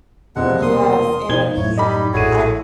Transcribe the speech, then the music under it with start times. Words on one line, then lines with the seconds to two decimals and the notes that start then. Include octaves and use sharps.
Y yes, and he h I
0.36 E1 C3 F3 G#3 F#5
0.62 A#3 B3 A#4 C6 D#6
1.29 B2 F3 D#4 G#6 G7
1.57 F#2 A2 E4 C#5
1.77 G3 D#4 G4 D#5 B5
2.14 A#1 A2 E4 F#4 G#4 A4 C#5 D#7